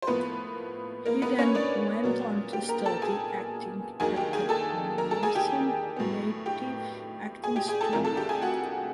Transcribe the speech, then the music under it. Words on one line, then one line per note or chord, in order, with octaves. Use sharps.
He then went on to study acting at the Nissan Nativ Acting Studio.
C5
A2 F3 A#3 B3 B4
A#3 A#4
B3 B4
C#4 C#5
D4 D5
A#2 F#3 B3
G4 G5
A#4 A#5
A4 A5
G#4 G#5
D#2 D#3 F#3 A#3 G#4 G#5
G4 G5
G#4 G#5
A4 A5
A#4 A#5
A4 A5
G#4 G#5
G4 G5
A2 F#3 B3
G4 G5
G#4 G#5
G4 G5
G#4 G#5
A4 A5
C2 C3 F3 A3 A#4 A#5
A4 A5
G4 G5
G#4 G#5
F#4 F#5